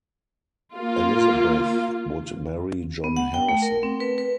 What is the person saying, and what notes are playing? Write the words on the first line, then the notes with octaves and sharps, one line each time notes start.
Elizabeth would marry John Harrison.
A#3 F4
B3
F#5
G5
A3
A#4
C4
B4
B4